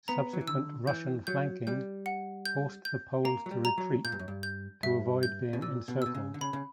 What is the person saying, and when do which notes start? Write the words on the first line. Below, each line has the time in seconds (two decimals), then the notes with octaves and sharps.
Subsequent Russian flanking forced the Poles to retreat to avoid being encircled.
0.08 B3 A#5
0.33 F#3
0.41 E3
0.48 D3 E6
0.87 E3 G6
1.27 F#3 G6
1.67 G3 G6
2.06 F#5
2.45 G6
2.85 G6
3.25 A#3 A#5
3.46 F#3
3.51 G3
3.65 A#5
3.78 F#3
4.04 A#2 G6
4.12 G2
4.19 F#2
4.28 G2
4.43 G6
4.83 G2 E5
5.23 G6
5.53 B2
5.62 A#2 E6
5.88 B2
6.02 B2 E6
6.14 C#3
6.34 D3
6.41 C#3 B5
6.53 C#3